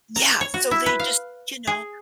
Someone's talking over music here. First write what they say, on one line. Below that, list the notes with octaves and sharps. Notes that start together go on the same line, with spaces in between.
Yeah, so they just you know,
A#5
C#5
F#4
E4
B4
F5
G#4